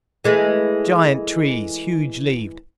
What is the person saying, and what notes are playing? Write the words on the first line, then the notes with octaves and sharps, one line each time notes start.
Giant trees, huge-leaved.
E3 G#3 A3